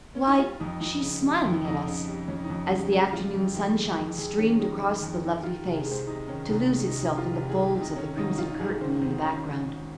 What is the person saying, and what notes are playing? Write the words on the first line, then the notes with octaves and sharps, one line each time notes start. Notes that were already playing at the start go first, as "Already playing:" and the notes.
"Why, she's smiling at us," as the afternoon sunshine streamed across the lovely face, to lose itself in the folds of the crimson curtain in the background.
C#4
D#4
G3 F4
F2 D#4
F2 D#4
C#3
G3
F2
F2 D#4
C#3
G3
F2 C#4
D#4
F2
C#3
G4
G#3 G#4
F2 F4
F2 G4
D#3 G4
G#3
F2
F2 G#4
D#3 C#4
G#3 D#4
F2
F2
D#3
D#3 F4
G4
C2
G#4
G#3
C5
C3 D#4
D#3 C#4
C2 D#4
G#3
D#4
C3
D#4
D#3
F4
C2 G4
G#3 G#4
G4
C3
D#4
D#3 C#4
G#1 D#4
G#1 F4
G#2 G#4
D#3 C5
G#1 C5
C#4